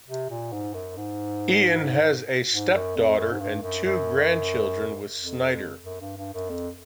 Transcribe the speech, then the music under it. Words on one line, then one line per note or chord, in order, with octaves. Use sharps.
Ian has a stepdaughter and two grandchildren with Snyder.
C3
A#2
G#2
F#2
G#2
G#2
F#2
F2
F#2
G#2
G2
F#2
F#2
F2
F#2
G2
G2
F#2
F2